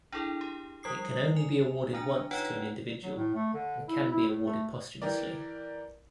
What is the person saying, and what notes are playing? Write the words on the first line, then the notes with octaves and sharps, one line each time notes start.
It can only be awarded once to an individual, and can be awarded posthumously.
D4 E4 G#4 A4
G4
F3 G3 D#6 C7
G#5 F7
D3 D4 G#5
D#4 F4 B4 C#5 F#5 G5
F#3
A2
A3
D3
E4
E4
A2
A3
E3 G4 A#4 D5